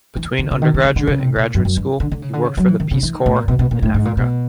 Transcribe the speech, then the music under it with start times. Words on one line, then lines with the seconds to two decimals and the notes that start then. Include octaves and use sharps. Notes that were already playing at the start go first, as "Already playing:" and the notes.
Between undergraduate and graduate school he worked for the Peace Corps in Africa.
0.16 E3
0.39 D3
0.51 C#3
0.62 D#3
0.74 D#3
0.80 C#3
0.85 D3
0.96 D3
1.08 C#3
1.19 C3
1.36 B2
1.42 A#2
1.54 F#2
1.65 F#2
1.77 G2
2.00 D3
2.12 D3
2.22 C#3
2.33 D3
2.45 C#3
2.57 F#3
2.68 E3
2.80 D#3
2.91 C#3
3.03 E3
3.14 D#3
3.26 A2
3.36 A#2
3.48 B2
3.59 B2
3.71 A#2
3.83 A2
3.94 G#2
4.05 A#2
4.17 B2